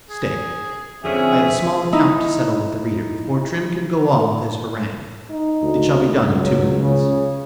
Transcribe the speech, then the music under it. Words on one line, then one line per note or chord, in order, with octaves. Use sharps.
Stay--I have a small account to settle with the reader before Trim can go on with his harangue.--It shall be done in two minutes.
G#4
F2 D3 C4 C#4 G#4 E5
D#4 E4
D#4
D2
C#2
F#3
C#3